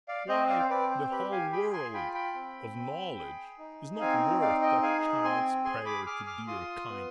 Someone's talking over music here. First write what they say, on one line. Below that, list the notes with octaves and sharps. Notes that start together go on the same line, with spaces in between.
Why, the whole world of knowledge is not worth that child's prayer to 'dear, kind God'!
D5 F5
C4 C5 D#5
D5 F5
C5
C4 B4 D5
C5
G4 B4
F5 G#5
G#4 G5 B5
G#5 C6
F4 G5 B5
G5 B5
C4
C4
G#4
D#4
C4 F5 G#5
D#4 D5 F5
D#5 G5
G#4 F5 G#5
C4 G#5 C6
G#4 G#5 C6
B5 D6
G#4 D6 F6
D6 F6
F4 C6 D#6
B3